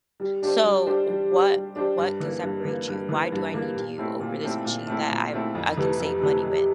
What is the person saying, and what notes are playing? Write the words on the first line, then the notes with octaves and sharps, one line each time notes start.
So, what what can separate you? Why do I need you over this machine that I'm I can save money with,
G3
D4 G4 C5
G3
D4 G4 C5
G3
D4 G4 C5
G3
D4 G4 C5
G2
E3 A#3
G2
E3 A#3
G2
E3 A#3
G2
E3 A#3
A#2
A3 C4 E4
A#2
A3 C4 E4
A#2
A3 C4 E4
A#2
A3 C4 E4
F2
C3 E3 A3
F2
C3 E3 A3
F2